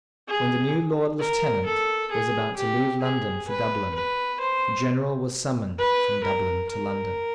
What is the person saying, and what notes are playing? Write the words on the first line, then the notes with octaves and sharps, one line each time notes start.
When the new Lord Lieutenant was about to leave London for Dublin, the General was summoned from Dublin to London.
G#4
A#4
A4
G#4
G4
G#4
B4
B4
C5
B4
A#4
A#4